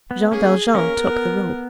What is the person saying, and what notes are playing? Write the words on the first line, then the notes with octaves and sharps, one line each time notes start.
Jean Valjean took the rope.
B3
A#3 C#4 G#4
A#3 C#4 A#4
B3